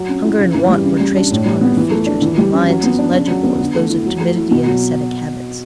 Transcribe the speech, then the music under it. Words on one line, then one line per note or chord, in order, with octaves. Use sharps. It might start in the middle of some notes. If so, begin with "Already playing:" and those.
Hunger and want were traced upon her features in lines as legible as those of timidity and ascetic habits.
Already playing: F#3
C#4
E4
C#3
E3
G3
C#3
G3
D4
A2
G3
B3
E3
A3
D4
E3
G3
C#4
F#3
B3
D4
C#3
F#3
B3
D3
A3
E4
F#3
A3
E4
B2
F#3